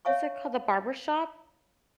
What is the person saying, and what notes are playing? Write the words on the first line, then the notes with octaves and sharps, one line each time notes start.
what's it called, The Barbershop?
C#5 E5 F5 G#5 C#6